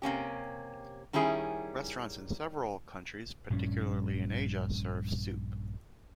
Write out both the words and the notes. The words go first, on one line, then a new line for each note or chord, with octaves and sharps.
Restaurants in several countries, particularly in Asia, serve soup.
C3 A#3 C#4 G4
D#3 G3 C#4 E4 G#4
A#1 G2 G3 C#4